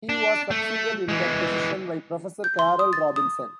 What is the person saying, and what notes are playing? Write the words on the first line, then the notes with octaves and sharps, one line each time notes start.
He was succeeded in that position by Professor Carol Robinson.
D4
A3
E3 G#3
G6
C6
D#6
A6
D#6